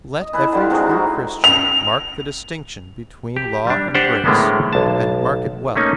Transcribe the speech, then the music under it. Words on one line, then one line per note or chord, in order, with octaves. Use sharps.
Let every true Christian mark the distinction between law and grace, and mark it well.
D#5
E3 E4 B4 A5
D3 G3 F4
G#2 C3 G#3 F#4
C3 D#4 E4 F#4
F7
G4
G3 D4
D4 G4 C5 F#5
A2 D3 G#3 A#3 B3
B1 A5
A3 A#3 C#4 D#4